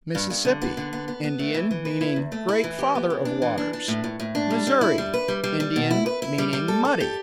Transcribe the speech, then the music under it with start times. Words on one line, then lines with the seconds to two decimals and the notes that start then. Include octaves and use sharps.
Mississippi--Indian; meaning "great father of waters." Missouri--Indian; meaning "muddy."
0.15 G2
0.30 G2
0.45 D3
0.62 B3
0.77 D3
0.93 B3
1.08 B3
1.24 B3
1.39 A3
1.54 E3
1.71 E3
1.85 B4
2.01 E4
2.16 E2
2.32 A3
2.48 E4
2.64 E3
2.79 G4
2.95 B3
3.10 E3
3.25 D4
3.42 E3
3.58 D4
3.73 D4
3.88 A2
4.04 A2
4.20 A2
4.35 D4
4.50 G3
4.67 G3
4.81 E4
4.98 G3
5.14 B4
5.28 G3
5.44 G3
5.60 G3
5.76 B2
5.91 E4
6.06 B4
6.22 E4
6.38 G3
6.53 G3
6.68 A4
6.85 A4
7.00 G4